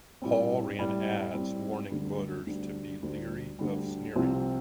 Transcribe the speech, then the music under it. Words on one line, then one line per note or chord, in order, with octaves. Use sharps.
Paul ran ads warning voters to be "leery of Sneary".
A2 G3 C4
A2 G3 C4
A2 G3 C4
D2 D3 G3
D2 D3 G3
D2 D3 G3
D2 D3 G3
C2 C3 F3 C4 F4